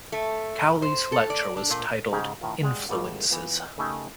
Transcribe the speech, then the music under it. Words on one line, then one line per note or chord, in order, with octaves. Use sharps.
Cowley's lecture was titled "Influences".
A3
C5
A4
D5
D4
A#2
G#2 C#3 G4 G#4 D#5
A2 D#3 F4
G#3 G4 D5 F#5
G#1 G3 A3 F4 F#5
E3 B3 F4
C#3 A3 D#4 G4 G#4 A#4